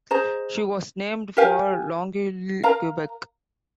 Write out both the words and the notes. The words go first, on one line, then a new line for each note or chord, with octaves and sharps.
She was named for Longueuil, Quebec.
G#4 C5 D#5 A#5
G4 A#4 F5 G#5
A#4 F5 A#5